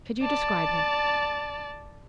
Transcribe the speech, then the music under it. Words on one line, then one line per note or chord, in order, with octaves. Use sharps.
Could you describe him?
D5 A5